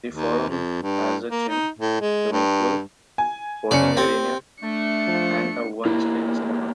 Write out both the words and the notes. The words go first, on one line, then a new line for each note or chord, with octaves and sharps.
The forum has a gym, swimming-pool, sporting arena and a one screen cinema.
D#2
F2
G2
A#3
D#4
A2
G#3
G2
G#5
F#1 C#4 D5 C#7
C4 G4
A3 D4 C#7
F3
E2 A#3 E4